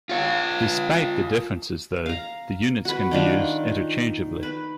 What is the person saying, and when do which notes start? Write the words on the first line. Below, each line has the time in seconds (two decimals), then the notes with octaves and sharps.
Despite the differences though, the units can be used interchangeably.
0.09 F4 C#5
2.06 F5 A#5
2.85 F#4 B4
3.11 D#3 D4 F4
4.43 B4